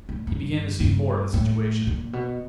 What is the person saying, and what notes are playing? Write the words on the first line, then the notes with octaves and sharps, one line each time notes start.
He began to see more of the situation.
A2
G2
G2
A2
A#2
B2